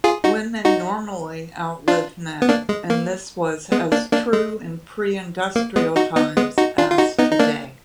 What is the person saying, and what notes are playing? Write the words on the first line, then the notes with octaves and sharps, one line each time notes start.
Women normally outlive men, and this was as true in pre-industrial times as today.
F4 G#4
D#4 F#4
D#4 F#4
D4 F4
B3
A#3 D4
G#3
A#3
G#3 B3
A#3 D4
A#3 D4
G#3
A#3
G#3 B3
D#4 F#4
B3 D#4
G#3 B3
D#4 F#4
D4 F4
F4
D#4 F#4
B3 D#4
D#4
A#3 D4